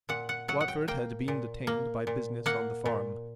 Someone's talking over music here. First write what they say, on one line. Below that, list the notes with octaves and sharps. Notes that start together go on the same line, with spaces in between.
Watford had been detained by business on the farm.
A#2 F#5
F#5
F#3 F#5
F#5
G5
A#3 G5
A#2
A#3
A#2
A#3 F#5
A#2